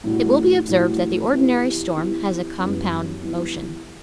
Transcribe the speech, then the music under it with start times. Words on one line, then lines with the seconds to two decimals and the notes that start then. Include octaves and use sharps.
It will be observed that the ordinary storm has a compound motion.
0.04 A2 E3 G3 D4 F#4
0.68 A2 E3 G3 D4 F#4
1.32 E3 B3 E4 G4 B4
1.95 E3 B3 E4 G4 B4
2.58 F#2 E3 G3 B3
3.22 E3 G3 B3